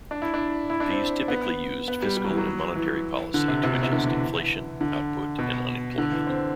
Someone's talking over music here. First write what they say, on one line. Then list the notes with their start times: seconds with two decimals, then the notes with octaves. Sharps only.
These typically used fiscal and monetary policy to adjust inflation, output and unemployment.
0.11 D4
0.22 E4
0.34 D4
0.70 E4
0.80 D4
0.90 C4
1.28 B3
1.88 B3
2.02 G3
2.17 G3
2.24 F#3
2.30 E3
2.38 F#3
2.76 E3
3.34 D3
3.48 C3
3.63 C3
3.73 B2
3.83 C3
3.92 D3
4.07 E3
4.81 D3
5.39 B2
5.98 D3
6.12 E3
6.27 C4